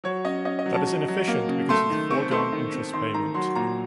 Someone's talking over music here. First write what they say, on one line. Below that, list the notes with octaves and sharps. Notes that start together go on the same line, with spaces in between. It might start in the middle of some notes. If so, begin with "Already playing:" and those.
That is inefficient because of the foregone interest payment.
F#3 C#5
C#4 D#5
C#4 D#5
D#5
F#3
A5
F#3
F#3
A#3
C#3
A3 C6
D#3
C4 C#6
A3 C6
D#3
C4
D#3 C6
D#3 A#5
F#3 C6
A#2 A#5